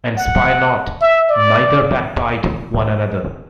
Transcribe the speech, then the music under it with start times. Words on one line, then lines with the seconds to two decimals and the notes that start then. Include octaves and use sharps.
And spy not, neither backbite one another.
0.17 F#5
1.01 E5
1.29 D5